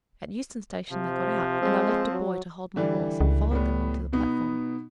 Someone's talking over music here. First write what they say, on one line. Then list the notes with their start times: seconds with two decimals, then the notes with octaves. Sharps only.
At Euston Station they got out, and I left a boy to hold my horse, and followed them on to the platform.
0.91 C3 F3
1.62 G#3 C4
2.12 F#3
2.76 D3 E3 G3
3.21 C#2
3.51 A2 G3 B3
4.13 B2 B3 D#4